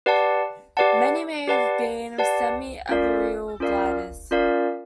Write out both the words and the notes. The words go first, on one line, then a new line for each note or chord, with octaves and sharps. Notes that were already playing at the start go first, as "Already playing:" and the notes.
Many may have been semi-arboreal gliders.
G4 B4 D5 F#5 A5
G4 B4 D5 F#5 A5
G4 B4 D5 F#5 A5
G4 B4 D5 F#5 A5
C#4 F4 A#4 D5 F5
C#4 F4 A#4 D5 F5
C#4 F4 A#4 D5 F5